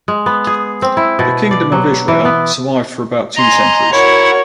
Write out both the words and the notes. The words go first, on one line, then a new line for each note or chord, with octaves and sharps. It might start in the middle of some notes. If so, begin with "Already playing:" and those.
The Kingdom of Israel survived for about two centuries.
G#3
B3
G#4
C4
E4
B2
D5
F#3
E3
B3
D#5 G#5 A#5 C6
E4 F#4 A#4 C#5 F#5